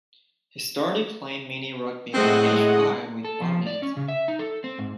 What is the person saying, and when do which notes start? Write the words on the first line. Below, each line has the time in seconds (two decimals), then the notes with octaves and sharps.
He started playing mini rugby at age five with Barnet.
2.14 A2 C3 G#3 C4 D#5 F#5
2.51 G#3
3.25 A4
3.42 F3
3.67 D5
3.82 C#4
3.97 C#3
4.08 E5
4.28 D#4
4.39 A4
4.64 C4
4.78 G#2